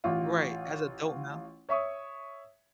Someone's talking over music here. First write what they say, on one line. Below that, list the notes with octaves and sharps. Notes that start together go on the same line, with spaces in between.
Right, as a adult now
A1 F4
C#5 E5 C#6 D#6